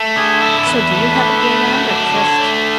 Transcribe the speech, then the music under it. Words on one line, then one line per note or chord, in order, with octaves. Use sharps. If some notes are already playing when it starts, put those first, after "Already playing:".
so do you have it year round, or just
Already playing: A3
D3 G#4
E4 A4
A4
E2 B4
A3
D3
A3
F#3
D4
D3 C#5
A3 D5